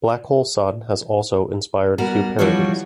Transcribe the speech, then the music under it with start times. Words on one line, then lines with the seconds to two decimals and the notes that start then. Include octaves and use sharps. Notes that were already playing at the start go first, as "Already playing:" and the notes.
"Black Hole Sun" has also inspired a few parodies.
1.98 G3 B3 F#4 A#4
2.39 E3 F3 G3 F4 F#4 C#5